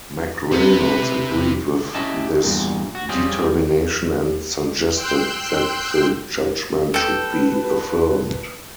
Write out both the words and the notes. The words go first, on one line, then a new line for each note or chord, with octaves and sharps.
McReynolds agreed with this determination and suggested that the judgment should be affirmed.
C3 B4
C#4 E4 G4 D#5 A5
E2 G2 A#2
F#4
G3 C4 C#4 F4 G4 G#4
G5 C6 E6 F#6 G6
A4 B4 G5